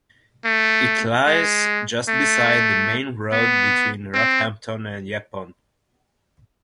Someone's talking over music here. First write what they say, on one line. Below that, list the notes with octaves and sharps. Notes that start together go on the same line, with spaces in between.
It lies just beside the main road between Rockhampton and Yeppoon.
A3
G#3
A3
B3
C4